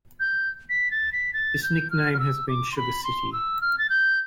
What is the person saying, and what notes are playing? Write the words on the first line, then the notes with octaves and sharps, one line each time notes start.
Its nickname has been "Sugar City".
G6
B6
A6
B6
A6
G6
F6
F6
E6
D6
C6
B5
C6
E6
F6
A6
G6